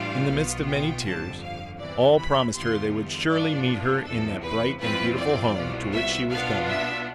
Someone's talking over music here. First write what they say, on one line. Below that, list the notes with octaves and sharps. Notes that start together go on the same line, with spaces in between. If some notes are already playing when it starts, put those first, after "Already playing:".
In the midst of many tears all promised her they would surely meet her in that bright and beautiful home to which she was going.
Already playing: A2 E3 G3 D4 F4 F5
B1 B2 B3 F4
G5
G1 F2 D3 A5
F5
E2 C3 E3 D5
B5
E2 D3 G3 B3 F4 C6
G2 E3 B3 D4 F4 D5
E2 C3 F3 A4
B4
F2 E3 G3 C4 F4 B4
D5
C2 B2 B3 F4
E5
B2 B3 D4 F4 F5
E5